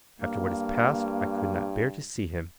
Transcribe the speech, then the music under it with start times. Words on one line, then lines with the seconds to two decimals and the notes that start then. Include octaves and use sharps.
After what has passed, I could not bear to see him.
0.21 G2 A#3